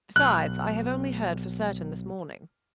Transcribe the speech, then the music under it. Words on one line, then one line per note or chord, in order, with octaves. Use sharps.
"Besides, I have only heard for certain this morning."
B1 F#6